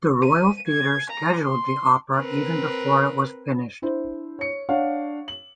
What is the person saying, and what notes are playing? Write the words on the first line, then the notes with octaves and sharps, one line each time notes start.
The Royal Theatre scheduled the opera even before it was finished.
D#7
G#6
A#5
C6
C4 A#4 B4
D4 E4 C5
C#5 C#7
D4 C#5 F5 F#5
F#7